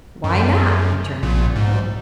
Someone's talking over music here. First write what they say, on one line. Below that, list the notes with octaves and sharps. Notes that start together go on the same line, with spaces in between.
"Why not?" returned Cap'n Bill.
F#2
A#1 A#2
G#2